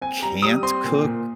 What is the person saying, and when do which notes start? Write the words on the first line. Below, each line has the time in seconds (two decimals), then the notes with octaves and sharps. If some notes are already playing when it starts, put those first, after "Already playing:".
can't cook
0.01 C4 G#5
0.22 G3 A#5
0.42 G3 D#6
0.63 C4 C6
0.84 A#2
1.04 A#2